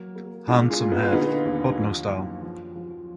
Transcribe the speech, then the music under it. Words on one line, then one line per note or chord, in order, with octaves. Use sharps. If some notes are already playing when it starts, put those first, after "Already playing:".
Handsome head, but no style.
Already playing: F#3 A#3
A#3
G#3 D4 F4
F4 G#4
A#2
B3 D#4
F4
D3 B3 D#4
D#2
F3
F#2
F3
F3